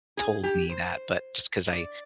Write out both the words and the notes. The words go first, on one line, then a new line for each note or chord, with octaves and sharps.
told me that, but just 'cause I
G#4
G4
C5
D5